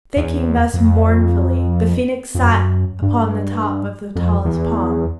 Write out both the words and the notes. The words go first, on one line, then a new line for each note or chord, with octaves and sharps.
Thinking thus mournfully, the Phoenix sat upon the top of the tallest palm.
E2
F2
F2
F#2
G2
F2
E2